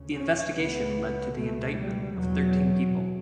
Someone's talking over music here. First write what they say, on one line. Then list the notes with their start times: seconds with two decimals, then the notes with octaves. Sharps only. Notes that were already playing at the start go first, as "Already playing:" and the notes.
The investigation led to the indictment of thirteen people.
Already playing: D2 C#3
0.14 C#4
0.54 C#2 C#3 B3
1.35 C#2 B2 A3
1.76 G3
2.16 E2 B2 F#3